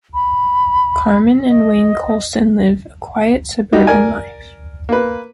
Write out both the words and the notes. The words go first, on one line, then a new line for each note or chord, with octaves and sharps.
Carmen and Wayne Colson live a quiet, suburban life.
B5
D#5
G3 D#4 F#4 G4
A#4 D5 G#5
A#3 B4